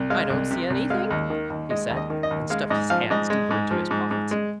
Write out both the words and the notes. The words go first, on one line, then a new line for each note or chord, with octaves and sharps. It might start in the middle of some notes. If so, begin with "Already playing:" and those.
"I don't see anything," he said, and stuffed his hands deeper into his pockets.
Already playing: C2
G#3 F5
C2
C3
C2
G#3 F5
D#2
D#3
D#2
G#3 D#5
D#2
D#5
D#3
D#5
D#2
G#3 F5
G#2 D#5
F3 F5
G#2 D#5
G#3
G#2
F3
G#2
G#2
G#3